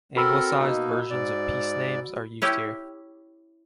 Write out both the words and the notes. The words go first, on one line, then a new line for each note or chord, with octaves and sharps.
Anglicised versions of piece names are used here.
C4 F#4 A4 A#4 B5 E6
B2 A#3 D#4
G#2 D5
C#4 E4 G4